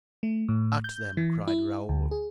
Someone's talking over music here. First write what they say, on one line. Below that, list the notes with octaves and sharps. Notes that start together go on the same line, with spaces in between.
"At them!" cried Raoul.
A3
A2
G6
E3
E4
D2
G#4